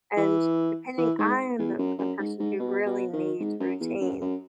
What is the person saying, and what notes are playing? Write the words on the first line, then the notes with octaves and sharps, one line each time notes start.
and depending I am the a person who really needs routine,
E3
E3
G#2
E2
F#2
F#2
G#2
G#2
B2
B2
D#3
G#2
F#2
E2
F#2
F#2